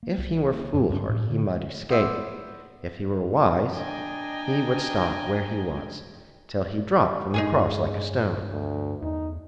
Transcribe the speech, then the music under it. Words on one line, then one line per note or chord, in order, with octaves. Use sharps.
If he were foolhardy he might escape; if he were wise he would stop where he was till he dropped from the cross like a stone.
A#3
C2
E3
A#3
F#2
G2
A2
D3
B3 E4 C5 D5 E5
D4 D#5 G5 G#5 A#5
G2 G#3 D#4 G#4 G#5
D2
E2 D#4